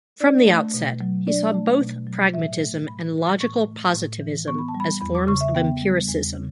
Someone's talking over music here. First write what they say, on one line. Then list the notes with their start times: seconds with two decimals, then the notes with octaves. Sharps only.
From the outset, he saw both pragmatism and logical positivism as forms of empiricism.
0.20 D4 D5
0.46 A3
0.74 B2
1.01 F#3
1.27 D4 D5
1.54 A3
1.81 B2
2.07 F#3
2.34 A2 E5
2.60 A3
2.87 A2 B5
3.14 E3
3.40 A2 C#6
3.67 A3
3.94 A2
4.20 E3
4.48 B3 C#6
4.59 B5
4.68 A5
4.75 G3
4.80 B5
5.01 E2 B5
5.15 D6
5.27 C#3 C#6
5.41 E5
5.55 B3 G5
5.82 G3
6.09 E2
6.35 C#3